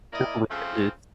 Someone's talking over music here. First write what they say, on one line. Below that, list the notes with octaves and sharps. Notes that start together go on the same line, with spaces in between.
Oh my goodness.
A#3 E4 D5 D#5
C#3 F3 A3 C4